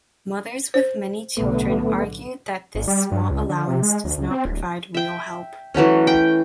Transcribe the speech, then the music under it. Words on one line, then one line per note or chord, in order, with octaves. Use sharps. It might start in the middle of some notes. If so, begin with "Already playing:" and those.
Mothers with many children argued that this small allowance does not provide real help.
C5
B1 A2 D3 A3 B3
G#1
G3
G2
C#2
D3
C3
G#3
D2
C#2
C4
D1
E5 G5
E3 F#3 A3 C#4
G5